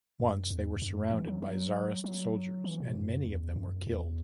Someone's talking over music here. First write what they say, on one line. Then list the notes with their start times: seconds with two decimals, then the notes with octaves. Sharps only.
Once they there surrounded by Tsarist soldiers and many of them were killed.
0.20 F#2
0.50 E2
0.76 E2
0.82 F#2
1.11 E3
1.27 F#3
1.42 F#3
2.04 F#3
2.64 E3
2.80 B2
2.95 F#2
3.25 E2
3.56 F#2
3.87 E2